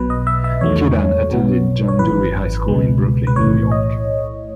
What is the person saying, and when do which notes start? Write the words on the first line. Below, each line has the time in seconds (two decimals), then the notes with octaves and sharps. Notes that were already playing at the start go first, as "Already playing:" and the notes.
Kidan attended John Dewey High School in Brooklyn, New York.
Already playing: B1 B2 F#3 B4
0.10 D#5
0.27 E5
0.44 E5
0.61 E2 D#3 F#3 A3 C#5
1.30 B1 B2 F#3 B3
1.88 C#5
1.99 G#1 F#2 E3 B4
2.68 C#2 B2 G#3
3.27 B4
3.36 B1 A2 E3 A3 C#5
3.71 D#5